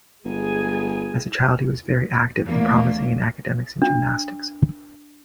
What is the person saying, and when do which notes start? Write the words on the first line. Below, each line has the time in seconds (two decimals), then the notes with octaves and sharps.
As a child he was very active and promising in academics and gymnastics.
0.25 G1 G#3 G#4 G#5
2.44 E2 F3 A3 A#3 D4
3.82 D4